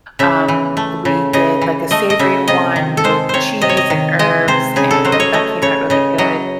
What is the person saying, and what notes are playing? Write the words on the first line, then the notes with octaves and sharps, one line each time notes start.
um, we did, like, a savory one with cheese and herbs, and but, that came out really good.
C#3 E5
E3
A3
C#3
C#3 D#5
E3
A3 D#5
D#5
C#3 E5
C3 D#5
D#3
A4
G#3 C5
C3 C5 C#5
C3 D#5
C#5
D#5
D#3
G#3 D#5
C3 C5
C#3 G#4
A4
F#3 C5
D#5
C#5
A3 D#5
C#3 C#5
C#3 D#5
F#3 D#5